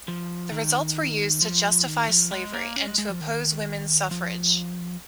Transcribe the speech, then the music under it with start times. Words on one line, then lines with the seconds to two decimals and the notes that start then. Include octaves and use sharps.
The results were used to justify slavery, and to oppose women's suffrage.
0.08 F3
0.52 D#3
1.42 F3
1.86 D#3
2.09 F3
2.31 G#3
2.53 A#3
2.76 C#4
2.87 G#3
2.98 G#3
3.10 F3
3.21 D#3
4.11 F3